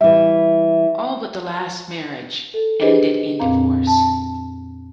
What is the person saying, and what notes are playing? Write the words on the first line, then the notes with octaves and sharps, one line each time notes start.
All but the last marriage ended in divorce.
E3 G3 E5
A4
D4 G4 G#4 B4 C5 D#5
F2 A#2 C4 F5 A#5
A5